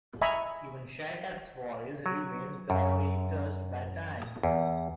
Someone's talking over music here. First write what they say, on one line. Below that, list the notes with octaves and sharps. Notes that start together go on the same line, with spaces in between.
Even Shattuck's voice remains barely touched by time...
D#5 E5 G#5 A#5 B5 C#6
F#3
F#2
E2